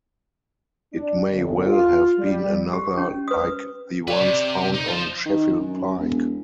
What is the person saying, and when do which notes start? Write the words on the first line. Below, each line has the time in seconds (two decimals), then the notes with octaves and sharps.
It may well have been another like the ones found on Sheffield Pike.
0.93 D4
1.31 G1
1.65 F4
2.18 G3
2.73 G4
2.97 C#4
3.28 B4 D#6
4.08 B4 C#5 D5
4.21 C3
4.74 D#4
4.89 F4 C5
5.25 D#3
5.58 F#2
5.98 E1